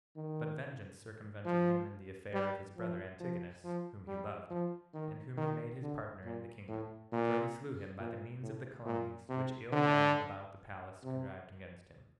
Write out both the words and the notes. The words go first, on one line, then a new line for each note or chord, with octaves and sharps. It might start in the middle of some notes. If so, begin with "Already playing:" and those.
But vengeance circumvented him in the affair of his brother Antigonus, whom he loved, and whom he made his partner in the kingdom; for he slew him by the means of the calumnies which ill men about the palace contrived against him.
D#3
F3
G3
F3
F3
F3
G3
F3
D#3
D#3
D3
A#2
A2
A#2
A#2
A2
A#2
C3
D3
C3